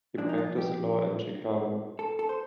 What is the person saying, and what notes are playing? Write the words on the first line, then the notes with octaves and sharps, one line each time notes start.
He practiced law in Chicago.
A#2 F3 A#3 D4
D#4
F4
G4
A4
A4
C5